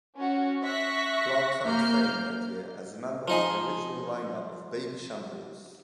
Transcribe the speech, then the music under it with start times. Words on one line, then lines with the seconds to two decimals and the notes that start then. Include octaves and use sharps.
Clarke found fame that year as a member of the original line-up of Babyshambles.
0.16 C#4 F#4
0.64 E5 C#6 F#6 A#6 B6
1.64 A#3 F6 G6
3.28 F3 D#4 G#4